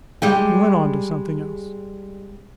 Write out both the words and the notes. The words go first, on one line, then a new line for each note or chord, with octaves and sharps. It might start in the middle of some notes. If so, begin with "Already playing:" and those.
He went on to something else.
G3 G#3 G4